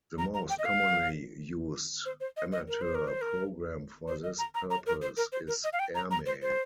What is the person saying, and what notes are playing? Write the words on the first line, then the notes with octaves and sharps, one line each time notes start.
The most commonly used Amateur program for this purpose is "Airmail".
A#5
A#5
G5
D#5
F5
C5
C5
D#5
D#5
A#4
C5
A#4
C5
A#4
C5
D#5
A#5
A#5
A#5
A#4
C5
A#4
C5
A#4
D#5
F5
G5
A#5
A#5
C5
C5